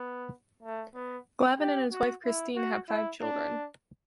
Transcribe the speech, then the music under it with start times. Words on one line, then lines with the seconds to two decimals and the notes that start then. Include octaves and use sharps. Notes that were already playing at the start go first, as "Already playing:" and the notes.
Glavine and his wife Christine have five children.
Already playing: B3
0.62 A3
0.95 B3
1.59 G4
1.92 F#4
2.25 E4
2.56 F#4
2.89 E4
3.21 D4